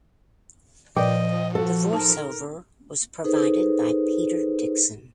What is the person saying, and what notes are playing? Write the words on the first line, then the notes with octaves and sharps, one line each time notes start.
The Voice Over was provided by Peter Dickson.
A#2 F3 B4 D5 D#5 G5
F#4 A4
D#4 A#4 A5
D#4 G#4 A4 B4 C5